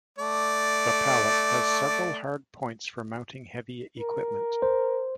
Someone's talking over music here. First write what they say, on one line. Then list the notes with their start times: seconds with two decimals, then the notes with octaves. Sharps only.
The pallet has several hard points for mounting heavy equipment.
0.18 A3 D5
4.00 A#4
4.62 C5